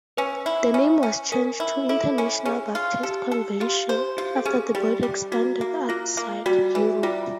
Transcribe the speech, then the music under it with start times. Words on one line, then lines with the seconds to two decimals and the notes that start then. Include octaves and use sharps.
The name was changed to International Baptist Convention after the body expanded outside Europe.
0.17 C#4 B4
0.46 E4
0.74 C#4
1.03 C#4
1.32 C#4 A#4
1.60 E4
1.89 E4 A4
2.18 C#4
2.45 C#4 G#4
2.75 F4
3.03 G4 A4
3.32 A4
3.60 F4 G4
3.89 C5
4.17 F4 G4
4.36 A4
4.45 C#4 G#4
4.75 G3 G4
5.03 G3
5.32 A#3 F#4
5.61 A#3
5.89 A#3 F4
6.17 A#3
6.46 G3 F#4
6.75 E3
7.03 G3 F4